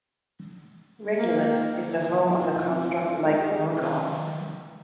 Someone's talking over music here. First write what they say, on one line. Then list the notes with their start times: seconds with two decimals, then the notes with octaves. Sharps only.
Regulus is the home of the construct-like Modrons.
1.17 A#3
2.09 F3
2.29 F4
2.42 F4
2.57 F3
2.70 C4
2.82 F4
3.02 D4
3.13 A4
3.25 G#3
3.40 G4
3.51 G#4
3.83 D#3 B4 D#5 F5 A#5